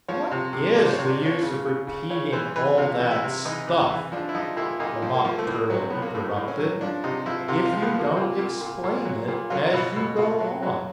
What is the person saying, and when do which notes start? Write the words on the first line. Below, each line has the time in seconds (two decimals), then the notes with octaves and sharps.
'What IS the use of repeating all that stuff,' the Mock Turtle interrupted, 'if you don't explain it as you go on?
0.08 F3 C#5
0.31 C3
0.53 C3
0.75 F3 D5
0.85 C5
0.93 C#5
0.98 C3
1.10 D5
1.21 F3 C#5
1.43 C#3
1.66 C#3
1.87 C#3
2.10 C#3 C#5
2.32 E3 C5
2.56 E3 B4
2.78 C3 F4
3.00 E3
3.11 E4
3.23 C3
3.45 E3 D#4
3.68 E3
3.90 E3
4.12 F3 D4
4.29 E4
4.35 F3 D#4
4.57 A#2 E4
4.80 A#2 D#4
5.02 F3
5.14 A#3
5.24 F3
5.38 A3
5.47 A2 A#3
5.70 F#3
5.79 C4
5.90 A2 B3
6.02 A#3
6.15 A2 A3
6.37 A2
6.48 C#4
6.59 F#3
6.81 F3 D4
7.04 C3 D#4
7.26 F3 E4
7.48 C3 F4
7.65 F4
7.72 F3 C4
7.82 B3
7.94 F3 A#3
8.16 A#2 C4
8.39 A#2
8.61 A#2
8.84 A#2
9.05 F#3
9.28 A#2
9.50 F#3 F4
9.73 B2
9.96 B2
10.18 B2 F4
10.40 F#3
10.63 F#3